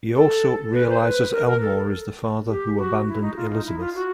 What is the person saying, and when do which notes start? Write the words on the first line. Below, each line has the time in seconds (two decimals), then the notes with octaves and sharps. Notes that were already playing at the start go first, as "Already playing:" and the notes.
He also realizes Elmore is the father who abandoned Elizabeth.
0.16 A4
0.73 B4
0.89 C5
1.04 B4
1.32 A#4
1.47 A#4
1.61 A4
2.49 G4
2.78 F#4
3.08 E4
3.21 D#4
3.36 F4
3.52 D#4
3.65 E4
3.79 F4
3.95 F#4